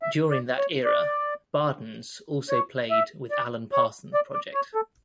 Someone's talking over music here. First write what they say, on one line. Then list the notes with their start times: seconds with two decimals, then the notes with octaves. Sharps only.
During that era, Bardns also played with Alan Parsons Project.
0.02 E5
0.30 D5
0.58 C#5
0.85 D5
2.49 C#5
2.91 E5
3.31 D5
3.73 C#5
4.14 D5
4.34 D5
4.54 C#5
4.75 A4